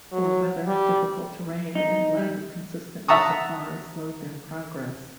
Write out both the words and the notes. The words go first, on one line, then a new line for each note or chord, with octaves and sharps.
Poor weather, difficult terrain, and lack of consistent resupply slowed their progress.
F#3
G3
D#4
G3
E5 F#5 A5 A#5 C#6 D#6